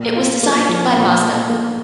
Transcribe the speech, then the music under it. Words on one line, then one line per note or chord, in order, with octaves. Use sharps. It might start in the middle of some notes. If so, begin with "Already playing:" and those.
It was designed by Mazda.
Already playing: A#2
F4
A#3
F3
A#2
A#2
A#3